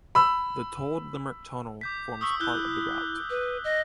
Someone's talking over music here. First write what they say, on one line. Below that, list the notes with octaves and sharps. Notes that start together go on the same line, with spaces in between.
The tolled Limerick Tunnel forms part of the route.
B5 E6
D6 G6 B6
C#6 D#6 E6 B6
E4 F#6 G6 G7
B4
D#5